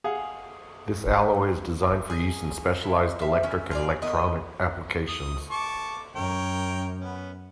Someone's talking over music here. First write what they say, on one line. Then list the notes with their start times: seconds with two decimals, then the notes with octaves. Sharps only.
This alloy is designed for use in specialized electric and electronic applications.
0.04 G#4 F5 F#5
2.10 G#4
2.83 E4
3.19 E5 F5
3.43 C#4 E4
3.71 F4 G#4 D5
4.02 B3 A#4 D#5
5.08 D#6
5.50 A5 C#6 D6
6.16 F#2 A#4 C#5 G5
7.00 B3 C#4